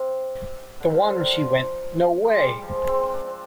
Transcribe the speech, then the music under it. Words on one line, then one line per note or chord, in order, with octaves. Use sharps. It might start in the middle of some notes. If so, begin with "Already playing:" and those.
The one she went.. no way!
Already playing: C3
D3
F3
D3
D#3
F3
G#3
G3
G3
F3
G#3
C4
C4
D4
C4